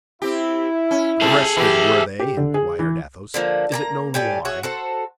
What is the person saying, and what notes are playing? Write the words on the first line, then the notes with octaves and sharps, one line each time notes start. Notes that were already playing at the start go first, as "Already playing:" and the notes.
"Arrested, were they?" inquired Athos; "is it known why?"
C4 E4 G4
C#4
C3 G3 A3 G#4 A4
B2 E3 E4 G4
G4
D3
G#4
E3
D3 F3 A#3
A#3 A5 A#5
A2 G4 D5 G#5
F#4 G#4 C#5 E5
F#4 A4 C5